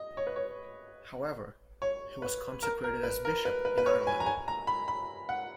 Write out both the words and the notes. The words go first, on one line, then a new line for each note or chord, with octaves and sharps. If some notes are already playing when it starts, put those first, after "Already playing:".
However, he was consecrated as bishop in Ireland.
Already playing: D#5
C#5
B4
C#5
C#5
B4
A#4
A#4
B4
A#4
B4
B4
B4
C#5
G#5
A#5
G#5
A#5
B5
B5
F#5